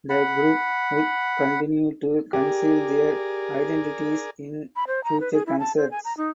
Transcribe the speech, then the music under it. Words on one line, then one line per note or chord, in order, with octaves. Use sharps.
The group would continue to conceal their identities in future concerts.
F#5 B5
G4 G#4 A#4 D5
B5
C5
A#5
B4
G#4
E4
A5
C5
G#5
A#5
D#4